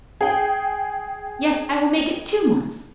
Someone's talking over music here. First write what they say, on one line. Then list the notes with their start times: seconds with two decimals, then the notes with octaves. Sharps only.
Yes, I will make it two months.
0.21 G#4 G5